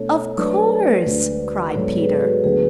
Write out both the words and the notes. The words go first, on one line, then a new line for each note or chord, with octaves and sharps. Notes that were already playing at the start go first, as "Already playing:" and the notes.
"Of course," cried Peter.
Already playing: B2 A3 D4 A4 C#5
F#3 A3 D4 B4 D5
D2 D3 G#3
G#2 F#3 B3 A4 C#5
G#4 B4
F#4 A4
D2 D3 F#3 B3 G#4 B4